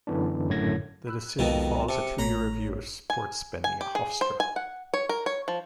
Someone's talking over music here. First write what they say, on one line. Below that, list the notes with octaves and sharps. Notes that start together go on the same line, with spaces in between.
The decision follows a two-year review of sports spending at Hofstra.
F#2 D3 E3 B3 D4
G#1 F#2 A2 D3 G#6 A#6
B5 E6 F#6
C2 F2 B2 D#3 G#3
C3 A5 C#7
A1 A3 C#5 A#5 B5
G#5
G#5
G4
G#4
C5
G#5
F#5
C#5
A#4
C#5
F3